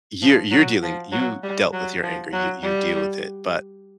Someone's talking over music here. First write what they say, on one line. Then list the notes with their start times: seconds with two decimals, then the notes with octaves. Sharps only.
you're you're dealing you dealt with your anger, you you deal with it, but,
0.22 F3
0.51 F#3
0.82 F3
1.12 F#3
1.43 G3
1.73 F#3
2.03 F3
2.33 F#3
2.63 G3